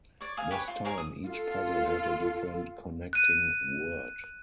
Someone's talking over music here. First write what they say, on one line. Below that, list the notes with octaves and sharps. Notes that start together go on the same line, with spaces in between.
This time, each puzzle had a different connecting word.
C#5 D5
F5 G#5 D#6
G4 B4 C#5 G#5
F4
G#4 A#4 C#5
D#6
F4 A4
F#6 D#7